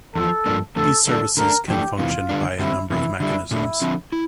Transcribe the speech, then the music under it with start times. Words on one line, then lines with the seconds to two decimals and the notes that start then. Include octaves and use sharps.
These services can function by a number of mechanisms.
0.15 E2 D3 F3 A4
0.46 G2 F3 A#3 D4
0.76 F2 D3 A3 A4
1.06 D3 G3 A#3 D4 A4
1.37 D3 A3 D4 A#4
1.68 F2 E3 A3 D4 G4
1.98 E2 C3 E3 F4
2.29 D3 G3 D4
2.59 G2 D3 G3 C4 E4
2.90 F2 C3 E3 E4
3.20 D3 G3 D4 E4
3.51 A#2 A3 D4 E4
3.82 D3 F3 C4
4.12 E4